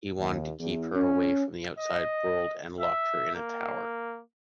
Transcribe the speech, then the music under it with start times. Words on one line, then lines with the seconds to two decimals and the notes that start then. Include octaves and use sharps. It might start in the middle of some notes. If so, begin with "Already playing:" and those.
He wanted to keep her away from the outside world and locked her in a tower.
0.18 D#2
0.59 E2
0.95 C#4
1.79 D#5
2.80 E5
3.35 A#3